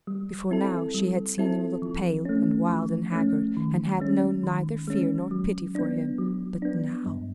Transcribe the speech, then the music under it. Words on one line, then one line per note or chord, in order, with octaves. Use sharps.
Before now she had seen him look pale and wild and haggard, and had known neither fear nor pity for him. But now!
G3
C4 E4 A4
G3
C4 E4 A4
F3
A3 C#4
F3
A3 C#4
D#3
G#3 C#4
D#3
G#3 C#4
F#3
B3 D4
F#3
B3 D4
G2